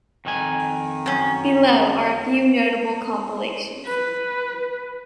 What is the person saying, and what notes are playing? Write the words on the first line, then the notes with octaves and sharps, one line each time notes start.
Below are a few notable compilations.
F2 D#3 G#5
F#2 C#4
B4